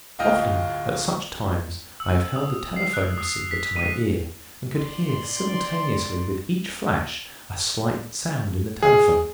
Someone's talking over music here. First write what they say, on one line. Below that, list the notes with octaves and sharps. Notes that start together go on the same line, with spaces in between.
Often at such times I have held the telephone receiver to my ear and could hear simultaneously with each flash a slight sound in the telephone.
D1 F4 D#5 G5 F6
E6
D#6
C7
F#6
D#6
B6
D#7
D5 C6
G#4